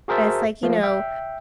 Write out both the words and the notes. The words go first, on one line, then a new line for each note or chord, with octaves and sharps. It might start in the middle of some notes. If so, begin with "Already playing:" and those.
and it's, like you know,
F#4 G#4 A#4 C5 E5 A5
F3 A3 F5
E5 G5